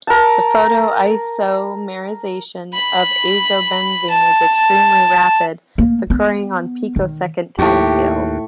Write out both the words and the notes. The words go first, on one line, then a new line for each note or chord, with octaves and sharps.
The photo-isomerization of azobenzene is extremely rapid, occurring on picosecond timescales.
A#4 A5
B5
A5
A#3
B3
D#3
D#2 A2 G4 C#6